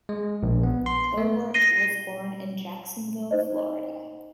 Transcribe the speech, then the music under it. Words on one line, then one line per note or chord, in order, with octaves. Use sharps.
Cowart was born in Jacksonville, Florida.
G#3
A#1
B3
C6
A3
A#6 C7 D#7 G7
D#4 C5 D#5